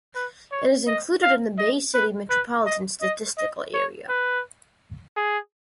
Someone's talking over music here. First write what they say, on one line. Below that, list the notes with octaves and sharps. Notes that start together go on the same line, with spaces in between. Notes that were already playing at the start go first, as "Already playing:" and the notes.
It is included in the Bay City Metropolitan Statistical Area.
B4
C#5
D#5
F5
D#5
B4
B4
D#5
D#5
D#5
C#5
B4
G#4